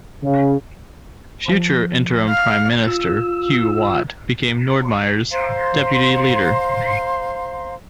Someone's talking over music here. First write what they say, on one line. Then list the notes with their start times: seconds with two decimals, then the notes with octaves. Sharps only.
Future interim Prime Minister, Hugh Watt became Nordmeyer's deputy leader.
0.23 C#3
1.48 F3
2.29 F5
2.87 F4 E6
5.31 C5 F5 A#5 C6